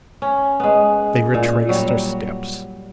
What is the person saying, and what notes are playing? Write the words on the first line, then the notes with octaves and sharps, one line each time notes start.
They retraced their steps.
C#4
G#3 B3
A#2
F#3 G3